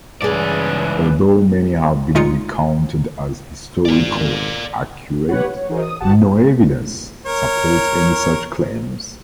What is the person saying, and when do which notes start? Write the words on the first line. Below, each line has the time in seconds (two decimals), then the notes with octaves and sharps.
Although many have been recounted as historical accurate, no evidence supports any such claims.
0.22 C#2 G2 C#3 E3 G#4 B4 D5
2.15 A#2 G#3 D#4 F4 C#7
3.86 G#1 A#4 D5
5.29 G4 B4 C#5 F#5
5.56 C#5
5.69 E3 D#4 F#4 G#4 A#4 C5
5.82 D#6
6.00 G1 F#4 G4 F#5 A5
7.26 A#4 C#5